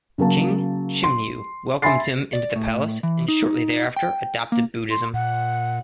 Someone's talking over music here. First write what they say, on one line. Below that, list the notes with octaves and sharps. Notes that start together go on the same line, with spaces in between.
King Chimnyu welcomed him into the palace, and shortly thereafter adopted Buddhism.
C#3 F#3 A#3 A5
C6
E5 G#5 B5 C6 A6 C7
D5
A2
E3
D#4
G5
A#3
C6
A#2 F#5